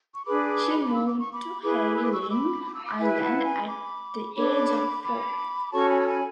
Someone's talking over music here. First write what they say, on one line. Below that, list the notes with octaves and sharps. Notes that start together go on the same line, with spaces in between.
She moved to Hayling Island at the age of four.
C#6
D4 G#4 B4 B5 D6
E6
D6
C#6
B5 D6
E4 G#4 B4 B5 D6
E6
D6
C#6 E6
E6
B5 D6
D6
E6
B5 D6
E4 B4 E5 G#5
F#5 A5
G#5 B5
B5 D6
D4 A4 C#5 B5 D6
B5 D6
C#4 F#4 A4 C#5 A5 C#6
G#5 B5
A5
G#5 B5